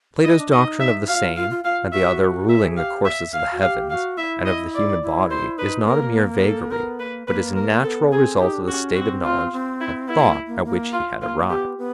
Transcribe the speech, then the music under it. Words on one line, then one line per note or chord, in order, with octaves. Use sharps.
Plato's doctrine of the same and the other ruling the courses of the heavens and of the human body is not a mere vagary, but is a natural result of the state of knowledge and thought at which he had arrived.
E4 D#5
D4
D#4 D#5
E5
F#4 F5
F4
F4 F5
F4
F4 F5
F#4 E5
A#4 E5
A4
G4
G#4
G4 F5
E5
F5
F#4
G#4 F5
G4
G4 F5
F#4
E4 E5
D#5
D5
E4
C5
D#4 B4
A#3 A#4
A4
B3 C4 A#4
A#3 B4
A#3 B4
A#4
C4 A4
B3
C4 G#4
D#4 G4
D4
C#4 F#4
C4 F#4
F4
C4
E4
B3 E4
A#3
A#3
A#3
F4
A#3 F4
B3 G4
B3